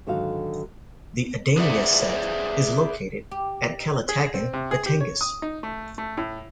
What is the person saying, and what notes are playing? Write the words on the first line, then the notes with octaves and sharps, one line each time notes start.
The Adamya set is located at Calatagan, Batangas.
G#2 D3 D#3 F#3 F#4 F5
G#4 B4 C5 D5 E5 F#5
G4
D#4
G#4
C4
C3
G#4
G4
C#5
D#6
D#4
A3
A3
A2